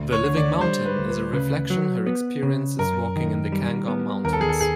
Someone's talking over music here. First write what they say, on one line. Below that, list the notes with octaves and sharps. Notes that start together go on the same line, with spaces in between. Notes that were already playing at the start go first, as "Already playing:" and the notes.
"The Living Mountain" is a reflection her experiences walking in the Cairngorm Mountains.
Already playing: D2
C#5
D3
D5
G3 C5
B4
D2
B4
C#3 B4
F#3
B3
C#3
F#2 A#4
D#3
G3
B3
D#2 A#4
A4
G#4
A4
G#4